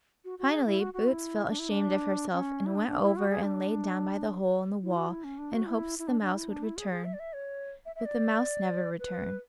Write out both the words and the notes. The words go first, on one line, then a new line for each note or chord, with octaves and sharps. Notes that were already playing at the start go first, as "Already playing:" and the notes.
Finally Boots felt ashamed of herself and went over and lay down by the hole in the wall in hopes the mouse would return, but the mouse never returned.
F#4
F#4
G#4
E4
F#4
F#4
E4
D4
E4
D4
C#4
E4
D4
D4
E4
F#4
G#4
D4
E4
F#4
E4
C#4
D4
F#4
E4
E4
D4
D4
E4
D4
E4
G#4
G#4
E5
D5
E5
C#5
E5
E5
D5
B4